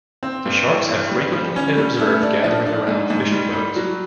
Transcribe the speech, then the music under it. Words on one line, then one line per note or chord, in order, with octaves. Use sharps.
The sharks have frequently been observed gathering around fishing boats.
C4
G2
E3
G2
G3
G3
C#4
G3
A3
D4
F3
D4
G#2
G#2
G3
G3
F#3